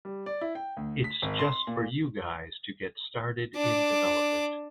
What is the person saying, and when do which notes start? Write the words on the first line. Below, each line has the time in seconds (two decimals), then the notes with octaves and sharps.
It’s just for you guys to get started in development.
0.05 G3
0.26 D5
0.41 E4
0.55 G5
0.77 D2
1.04 B6
1.22 G#1
1.39 C6
1.67 A#2
3.56 D4 D6